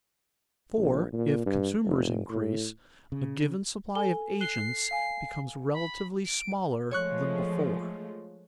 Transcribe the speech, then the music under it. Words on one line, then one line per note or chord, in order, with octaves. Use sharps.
For, if consumers increase, a given supply of agents becomes relatively smaller than before.
A#1
A#2
G2
F1
A2
C#3
A4 G#5 G7
F#6 C7 G7
F5 G#5
B5
D7
F3 G#3 A3 C#5 C#6 F#6